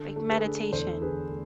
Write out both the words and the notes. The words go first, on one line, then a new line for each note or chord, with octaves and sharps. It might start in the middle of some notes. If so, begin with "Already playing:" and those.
Like meditation.
Already playing: D3 A4
A3
G#4 B4
D4
E2 A4 C5
D3 G#4 B4
A3 A4